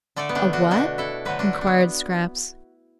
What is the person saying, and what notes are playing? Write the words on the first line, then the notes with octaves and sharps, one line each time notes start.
"A what?" inquired Scraps.
D3 A3 A4 D5
B3
A3 D4
D4 F#4
B2 A3 D4 F#4
E4 A4
D3 F#3 A3 F#4 B4
D4 F#4
A3
D4
B3